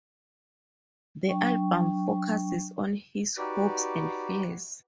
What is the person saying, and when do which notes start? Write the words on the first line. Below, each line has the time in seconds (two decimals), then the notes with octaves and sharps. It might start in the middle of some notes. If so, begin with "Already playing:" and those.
The album focuses on his hopes and fears.
1.26 F#3 D4 G5 C#6
3.38 D#4 F#4 G4 B4 D5